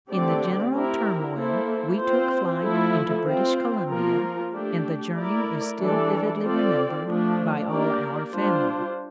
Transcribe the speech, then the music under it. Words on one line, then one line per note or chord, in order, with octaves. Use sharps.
In the general turmoil, we took flight into British Columbia, and the journey is still vividly remembered by all our family.
D3 A3 C4 G4 D5
C4 E4 G4 A#4
A#3 E4 A4 C5
C4 F4 C5
F3 A3 E4 A4
C4 F4 C5
F3 A#3 F4 A#4
A3 D4 G4
A3 E4 A#4 D5
E3 G3 D4 A4 D5
C4 F4 A4 D5
F3 A3 D4
A#3 D4 G4 A#4 D5
G3 D4 F4 C5